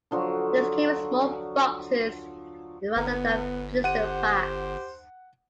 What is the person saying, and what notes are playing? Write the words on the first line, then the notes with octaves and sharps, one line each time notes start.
These came in small boxes rather than blister packs.
D3 F3 F#3 F#4
G1 B3
G4 C5 F#5 D#7